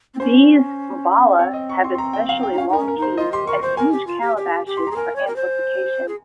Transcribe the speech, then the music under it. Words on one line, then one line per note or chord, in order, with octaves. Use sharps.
These "bala" have especially long keys and huge calabashes for amplification.
C4
C#4 C5
C4 C#5
D#5
C#6
C6
C6
A#5
G5
F5
G5
D#4
C#4 F5
D#4 A#4
C#4
A#4
D#4 C5
F4 D#5
G4 C6
A#4 C#6
C5 C6
A#4 G#5
G4
F4
G4
G4
G4
C6
G#4 A#5
A#4 G#5
C#5
A#4
C5
G#4